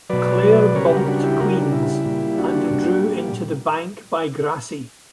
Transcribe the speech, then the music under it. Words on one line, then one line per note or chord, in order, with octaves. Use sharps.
Clare bumped Queens', and drew into the bank by Grassy.
B2 F#3 B4 D5
C#3 G3 A#4 C#5
G4 B4
F#4 A#4
D4 F#4
E4 G4
C#3 G3 F#4 A#4
D4
E4
A#2 G3
D4 F#4
A#2 G3